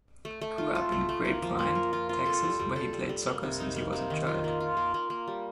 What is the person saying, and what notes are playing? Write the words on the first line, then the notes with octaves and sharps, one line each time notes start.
He grew up in Grapevine, Texas, where he played soccer since he was a child.
A3
A3
F4
A4
A3
A3
A#3
F3
A#3
A#4
F4
F4
A4
G3
G3
A4
G3
G3
A#3
C3
D#4
A#3
C3
D#3
F4
A#3
F4
A#3
A#3
A#3
G3